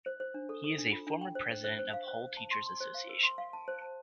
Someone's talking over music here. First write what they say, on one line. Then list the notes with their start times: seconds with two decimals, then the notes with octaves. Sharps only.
He is a former President of Hull Teachers Association.
0.06 C5
0.20 C5
0.34 D4
0.49 A4
0.64 A4
0.78 D4
0.92 F4
1.07 D4
1.21 G5
1.35 C5
1.50 C5
1.64 C5
1.79 C5
1.93 F5
2.08 C5
2.22 C5
2.37 A5
2.51 C6
2.66 C6
2.80 C5
2.94 F5
3.09 A#4
3.23 C6
3.38 F5
3.53 A5
3.68 C5
3.82 A5